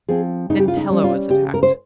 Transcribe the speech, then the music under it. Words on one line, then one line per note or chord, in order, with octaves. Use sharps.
Then Tela was attacked.
F3 C4 G#4
C#3 D#4
G4
F4
D#4
G3 C#4
F4
C#3 G4
A#4
C5